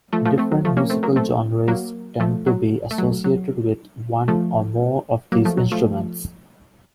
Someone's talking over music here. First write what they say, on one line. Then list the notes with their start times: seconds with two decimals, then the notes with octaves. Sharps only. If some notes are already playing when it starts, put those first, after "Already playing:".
Different musical genres tend to be associated with one or more of these instruments.
0.13 F3 A3
0.25 F3 A3
0.38 A3 C4
0.52 F#3
0.65 F3 A3
0.77 A#3 C#4
0.90 A3 C4
1.03 F#3 A#3
1.16 A3 C4
1.68 F#3 A#3
2.20 F3 A3
2.47 F#3
2.91 A3
2.98 F#3
3.24 F#3
4.28 F3 A3
5.32 F#3 A#3
5.45 F3 A3
5.58 F#3
5.72 F3 A3